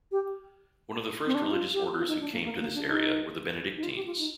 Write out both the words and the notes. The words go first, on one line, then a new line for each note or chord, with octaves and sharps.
One of the first religious orders who came to this area were the Benedictines.
G4
C4
D4
D#4
F4
G4
F4
D#4
D4
A#3
A#3
A#3
D4
D4
D#4
D#4
F4
G4
F4
D#4